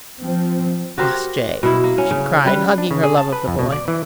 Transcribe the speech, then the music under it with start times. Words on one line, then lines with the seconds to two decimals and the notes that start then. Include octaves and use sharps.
"Crossjay!" she cried, hugging her love of the boy.
0.22 F3 C4
0.98 F#4 G4 A#4 C5
1.63 B2 E4
1.84 A#3
1.98 C#4
2.11 C#3
2.46 G3 B4
2.78 D4
2.91 C#3
3.03 G#4
3.17 A5
3.33 B4
3.48 F2
3.59 B2
3.72 D5
3.88 E3